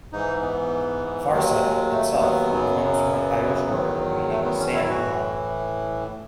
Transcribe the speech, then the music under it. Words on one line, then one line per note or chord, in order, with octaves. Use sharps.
"Farset" itself comes from an Irish word meaning "sandbar".
G#2 E3 D#4
B3
D#2 D#3 F#3 G#3
G#3
A3
B3
F#2 C#3 F#3
B3
E2 D#3 F#3
A3
B3
C#4
E4
E4
A2 E3 F#4